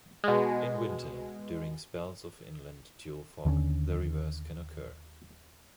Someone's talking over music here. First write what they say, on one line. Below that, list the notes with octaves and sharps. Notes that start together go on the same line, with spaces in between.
In winter, during spells of inland tule fog, the reverse can occur.
B2 G#3
D#2 D3 D#3 C#4